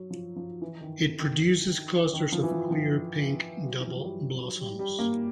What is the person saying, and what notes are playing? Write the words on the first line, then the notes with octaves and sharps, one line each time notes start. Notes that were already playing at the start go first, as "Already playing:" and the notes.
It produces clusters of clear pink double blossoms.
Already playing: F#3
F3
F3
E3
D#3
D3
D#3
D#3
F3
E3
F3
F3
F#3
E3
F3
F#3
G3
F#3
G3
G3
A#3